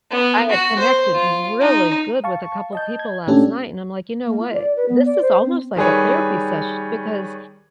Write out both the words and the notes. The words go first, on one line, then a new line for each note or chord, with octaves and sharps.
I had connected really good with a couple people last night, and I'm like, "You know what? This is almost like a therapy sesh because
B3
F#4
C5
F4
D#4
F5 A5 C#6
D#5 A5 G6
G#6
A#2 A3 C#4 D4 G4 A4
A#3
F4
D5
B4
B3
D5
C5
C4
D#3 G3 G#4 B4 C#5